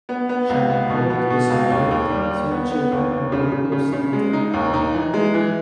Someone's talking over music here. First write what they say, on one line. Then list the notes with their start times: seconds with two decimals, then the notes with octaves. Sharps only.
Sharon Holt is married with two children and now lives in Te Aroha.
0.09 B3
0.29 B3
0.49 C#2
0.69 B3
0.90 B2
1.10 B3
1.30 B2
1.50 C#2
1.70 D#2
1.91 D#2
2.10 G3
2.31 D#2
2.51 B3
2.71 B3
2.91 D#2
3.12 D#2
3.32 C#3
3.52 C#3
3.72 C#3
3.93 C#3
4.13 G#3
4.33 D#4
4.53 D#2
4.73 D#4
4.94 E3
5.14 G#3
5.34 E3